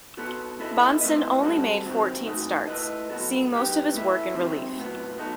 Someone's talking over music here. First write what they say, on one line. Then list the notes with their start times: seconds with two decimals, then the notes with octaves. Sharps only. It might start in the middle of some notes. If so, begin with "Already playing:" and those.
Bahnsen only made fourteen starts, seeing most of his work in relief.
0.17 B3 F#4 A4
0.59 B3 E4 A4 D#5
1.01 A3 C4 E4 B4 D#5
1.43 G3 C4 F#4 A4
1.85 C3 D#3 F#3 C4 F#4
2.26 A2 E3 A3 D#4 F#4
2.67 A3 E4 B4 D#5
3.10 A2 F#3 B3 F#4 A4
3.51 F#3 B3 D#4 G4
3.93 A2 E3 A3 E4
4.34 C3 D#3 F#3 C4
4.76 A2 F#3 B3
5.18 F#3 B3 D#4 A4